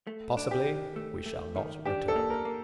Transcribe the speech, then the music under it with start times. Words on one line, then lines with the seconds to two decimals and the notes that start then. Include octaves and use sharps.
Possibly we shall not return.
0.07 A3
0.37 D4
0.51 G4
0.66 D#3
0.96 A3
1.26 A3
1.56 D#3
1.85 D4 G4
2.08 A4
2.16 A#3
2.30 A#4
2.45 A#3